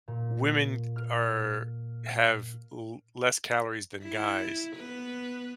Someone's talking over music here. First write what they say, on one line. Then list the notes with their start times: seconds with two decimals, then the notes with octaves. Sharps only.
women are have l less calories than guys
0.08 A#2
0.96 F6
4.03 E4
4.76 B3 B4